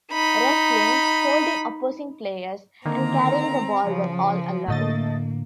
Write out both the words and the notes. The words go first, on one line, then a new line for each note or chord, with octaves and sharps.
"Wrestling", "holding" opposing players, and carrying the ball were all allowed.
D#4 B5
D3 D#3 A#3 C4 A#5
C#3 F3
A2 D3 A3 A#3 D#5 A6